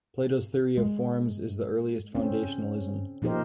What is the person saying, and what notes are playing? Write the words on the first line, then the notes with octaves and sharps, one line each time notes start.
Plato's theory of Forms is the earliest foundationalism.
G#3
C4 C#4
A#2 F3 D#4 G4 A#4 C5